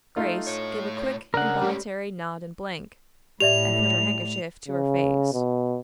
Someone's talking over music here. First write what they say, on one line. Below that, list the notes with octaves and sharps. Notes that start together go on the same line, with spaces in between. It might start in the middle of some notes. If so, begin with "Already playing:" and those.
Grace gave a quick, involuntary nod and blink, and put her handkerchief to her face.
A3 D#4 F4
A2 C#5
C#3 D4 A#4 F#5
G3 A3 C#4
A2 G4 D5 E5 F7
C#3
B2